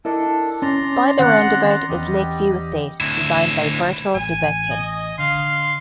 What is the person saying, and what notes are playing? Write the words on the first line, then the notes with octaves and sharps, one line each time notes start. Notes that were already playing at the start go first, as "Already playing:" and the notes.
By the roundabout is Lakeview Estate, designed by Berthold Lubetkin.
D4 E4 A4 A#4 D#5
C#4 D5 A#5 C6
D#3 C4 F#5
E2 G3 G4 D#5
D2 E4
A1 G#5
D#5
D3 F5 C6